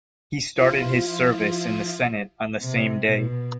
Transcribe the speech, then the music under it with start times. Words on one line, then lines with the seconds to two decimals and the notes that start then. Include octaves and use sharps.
He started his service in the Senate on the same day.
0.56 F3 E4 F4
2.61 C3
3.06 B2